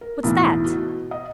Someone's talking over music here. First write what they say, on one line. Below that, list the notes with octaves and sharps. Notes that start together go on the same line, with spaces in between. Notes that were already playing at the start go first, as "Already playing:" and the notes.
"What's that?"
A#4
B1 E2 A2 E3
B2
D#5